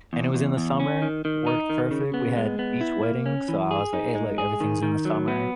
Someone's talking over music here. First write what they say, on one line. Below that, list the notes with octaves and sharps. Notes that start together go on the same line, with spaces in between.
And it was in the summer, worked perfect, we had beach wedding, so I was like, "Hey, look, everything's in the summer,
E2
E2
E2
C#4
D#3
D#3
D#4
D#3
C#3
B3
G#3
B3
E4
A#3
C#4
E3
G#4
D#4
G#3
G#4
D#3
D#3
F#3
B3